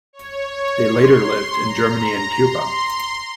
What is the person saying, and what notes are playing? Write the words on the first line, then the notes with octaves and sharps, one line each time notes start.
They later lived in Germany and Cuba.
C#5
C#5
C6
A#5
A#5
C6